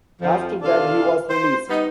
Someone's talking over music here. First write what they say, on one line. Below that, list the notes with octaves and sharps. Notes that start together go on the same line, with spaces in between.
After that, he was released.
F2 F3
C3 D4 F4 A4 F5
C5
G3 B3 D#4